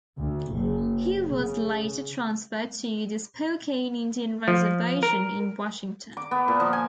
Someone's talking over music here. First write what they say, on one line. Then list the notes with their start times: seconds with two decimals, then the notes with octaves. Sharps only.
He was later transferred to the Spokane Indian Reservation in Washington.
0.20 D2
0.52 F#1
1.24 C#3
4.48 F3
5.03 A#4
6.17 D6
6.31 B3
6.48 A#2
6.60 F3
6.73 G#5